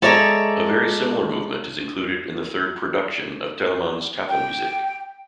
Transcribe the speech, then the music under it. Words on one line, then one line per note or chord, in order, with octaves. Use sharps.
A very similar movement is included in the third "Production" of Telemann's "Tafelmusik".
G#3 A4 C#5 D5 E5 A#5
G5